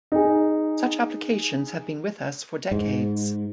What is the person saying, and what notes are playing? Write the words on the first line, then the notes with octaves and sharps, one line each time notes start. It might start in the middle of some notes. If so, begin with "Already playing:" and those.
Such applications have been with us for decades.
D#4 G#4
G#2